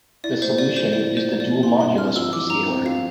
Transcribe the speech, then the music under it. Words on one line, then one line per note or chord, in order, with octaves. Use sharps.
The solution is the dual modulus prescaler.
E4 D5
A2 C5
A3 D5
F3 C5
E4 D5
A2
C5
A3
D5
F3
E4 C6
G2 C6
C4 F6
F3 E6
E4 D6
G2 A#5
C4
F3 F5